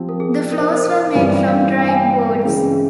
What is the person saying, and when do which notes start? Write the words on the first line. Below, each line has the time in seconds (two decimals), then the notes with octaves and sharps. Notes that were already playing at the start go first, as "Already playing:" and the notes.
The floors were made from dried boards.
Already playing: F3 C4 G4
0.09 A#4
0.20 G#4
0.52 A#4
0.60 C5
0.68 A#4
0.76 C5
0.84 A#4
1.15 G2 E3 G3 C5
1.48 F5
1.79 G5
1.88 G#5
1.95 G5
2.43 C#3 E3 G#3 C4